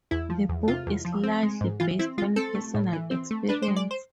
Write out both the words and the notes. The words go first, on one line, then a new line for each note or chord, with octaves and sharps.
The book is largely based on personal experience.
E2 E4
F3
E2
C3 F4
E2
F3
C4
G#3
G#2
E3 F4
C4 E4
G#3 F4
C4 A4
A3
A2
E3
C4
A3
D4 B4
C5
G#3
D5
C5